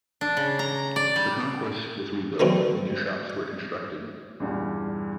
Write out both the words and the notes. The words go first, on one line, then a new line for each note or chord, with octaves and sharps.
The concourse was rebuilt and new shops were constructed.
D4
C#3
A#5
D5
G3
D3 D#3 F#3 A3 B3 C4
E2 G2 A#2